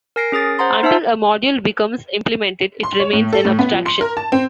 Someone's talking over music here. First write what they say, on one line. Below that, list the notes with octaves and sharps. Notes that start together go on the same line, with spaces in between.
Until a module becomes implemented it remains an abstraction.
A#4 G#5 A#6 C7 D7
C#4 G#4 D#6 A6
C5 F#5 A#5 C6
D#4 C5 E5 A5 E6
C6
C#5
A2
A4
A2
B3
F3
C6
A#4
A5
C4